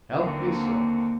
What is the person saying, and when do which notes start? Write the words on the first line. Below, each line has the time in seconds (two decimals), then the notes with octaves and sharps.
"Help yourself."
0.17 D#2 D3 A#3 C4 F#4